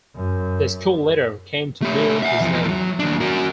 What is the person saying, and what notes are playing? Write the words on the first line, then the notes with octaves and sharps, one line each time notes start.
The school later came to bear his name.
F#2
A3 G4
E5 F#5
E2 F3
F#3
D#2 D4
F#4 A#4